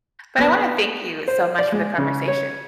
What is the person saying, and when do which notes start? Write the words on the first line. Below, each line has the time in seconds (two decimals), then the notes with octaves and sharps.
But I wanna thank you so much for the conversation.
0.38 B3
1.28 C5
1.59 D5
1.72 G#3
1.98 C#3
2.28 C#5